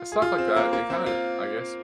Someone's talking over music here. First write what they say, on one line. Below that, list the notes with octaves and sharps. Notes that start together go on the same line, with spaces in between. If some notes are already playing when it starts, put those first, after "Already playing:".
stuff like that, it kinda, I guess,
Already playing: F4
G#4
F4
C4
A#3
A#3
C4
F4